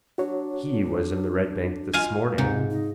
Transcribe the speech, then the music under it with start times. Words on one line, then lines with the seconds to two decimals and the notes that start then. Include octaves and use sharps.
He was in the Red Bank this morning.
0.18 D4 F#4 C#5
1.93 F4 F5 G#5
2.38 G#2 C3
2.70 D#4